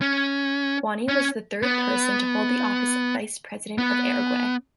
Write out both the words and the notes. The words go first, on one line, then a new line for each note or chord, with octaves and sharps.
Guani was the third person to hold the office of Vice President of Uruguay.
C#4
C#4
B3
B3